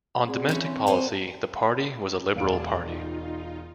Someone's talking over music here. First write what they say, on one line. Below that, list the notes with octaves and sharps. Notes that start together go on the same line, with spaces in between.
On domestic policy, the party was a liberal party.
C4 G#4 D5
E3 C#4
C4
F#4 C5 G#5
E1 G#4 D5 F5 A5 D7
D#4 F4